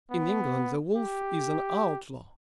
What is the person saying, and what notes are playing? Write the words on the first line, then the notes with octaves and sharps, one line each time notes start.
In England the wolf is an outlaw.
B3
G4